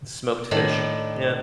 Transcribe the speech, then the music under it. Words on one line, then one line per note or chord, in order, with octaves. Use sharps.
Smoked fish. Yeah.
A2 D#3 D4